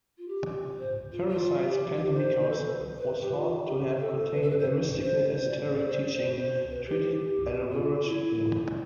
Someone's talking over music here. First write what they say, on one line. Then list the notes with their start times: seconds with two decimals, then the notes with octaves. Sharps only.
Pherecydes' "Pentemychos" was thought to have contained a mystical esoteric teaching, treated allegorically.
0.17 F4
0.28 G4
0.79 C5
1.12 F4
1.29 F4
1.63 G4
1.97 G4
2.13 C5
2.48 A4
2.56 B4
2.64 C5
2.98 B4
3.21 G4
3.32 F4
3.65 G4
3.99 A4
4.32 B4
4.42 A4
4.50 B4
4.59 C5
5.01 C5
5.34 C5
5.48 D5
5.60 C5
5.75 D5
5.88 C5
6.00 D5
6.13 C5
6.36 C5
6.70 B4
6.86 G4
7.71 F4
8.05 E4